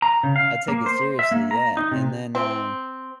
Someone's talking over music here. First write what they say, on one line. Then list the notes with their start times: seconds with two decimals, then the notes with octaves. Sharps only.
I take it seriously, yeah, and then, um
0.02 A#5
0.23 C#3
0.36 F5
0.68 A#3
0.86 C5
1.19 E5
1.31 A#3
1.51 A#5
1.77 D#4
1.91 C3
2.35 C4